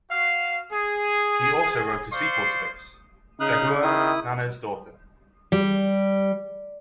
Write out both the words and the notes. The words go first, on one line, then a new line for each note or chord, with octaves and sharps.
He also wrote a sequel to this, "Jagua Nana's Daughter".
F#4 F5
G#4
C5 D5 F5 C6 C#6
C#3 D#4 D#6 F6 F#6
D#3 E4 D#6
G3